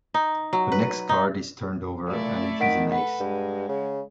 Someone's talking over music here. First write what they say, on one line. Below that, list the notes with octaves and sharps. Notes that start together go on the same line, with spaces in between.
The next card is turned over, and it is an ace.
D#4
F#3
B4
D#4
A#2 A3 E4 D5
D#3 F#5 B6 D7
A4 B4 F#5
G2 G#3
C#3